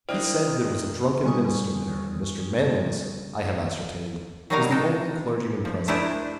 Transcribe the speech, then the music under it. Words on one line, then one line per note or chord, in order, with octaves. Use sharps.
"He said there was a drunken minister there, and Mr. Manlius, I have ascertained, was the only clergyman present."
D#3 D4 E4 C5 D5 D#5 G5 F6
D3 G3 G#5 C#6 D#6
F#3 G3 A#3 D#4 A#4 F5
G#3 D#4 A4
F3
A3 D4 E4 G#4 A#4 C5